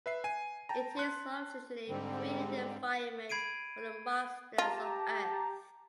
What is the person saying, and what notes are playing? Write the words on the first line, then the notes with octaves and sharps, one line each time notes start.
It is an artificially created environment for the monsters of Earth.
B4 E5 C7
G#5 D#7
G5 A5 A#5
A5 C6 F#6
G#2 D3 G3 C4
B5 G#6 C7 D7 D#7
F4 G4 A5 A#5